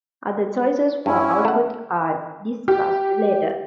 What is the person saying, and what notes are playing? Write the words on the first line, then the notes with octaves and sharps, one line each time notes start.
Other choices for output are discussed later.
G2 C#4 E4
A3 F#5
G4